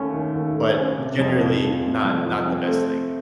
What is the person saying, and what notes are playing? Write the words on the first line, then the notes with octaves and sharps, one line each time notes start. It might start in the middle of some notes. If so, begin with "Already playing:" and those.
but generally not not the best thing.
Already playing: D#2 D#3 A3 C#4
D#3
D#2
A3
C#4
C3
F2
F3
C4
C3
F2
F3
C4
A3